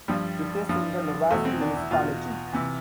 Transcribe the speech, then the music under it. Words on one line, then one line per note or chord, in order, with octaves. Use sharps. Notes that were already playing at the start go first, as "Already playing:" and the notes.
It is in the Novaci Municipality.
G2 F3 G3
G2 F3
E2 B2 A3
C4
D4
E4
E2 B2 F4
C3 E3